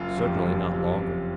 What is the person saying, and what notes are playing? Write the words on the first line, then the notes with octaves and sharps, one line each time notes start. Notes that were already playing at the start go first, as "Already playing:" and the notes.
"Certainly not longer."
Already playing: F#1 F4
F2 C3
F#1
C3